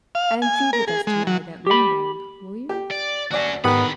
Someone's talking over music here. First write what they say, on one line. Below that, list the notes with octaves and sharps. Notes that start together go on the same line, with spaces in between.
And feed with us to-night at Limpold, will you?
F5
G#5
A#4
G#4
G#3
F#3
G4 B5
G4
D5
D2 C#4 F#4 D5
G#2 D3 D#3 B3 G4 B5 F#6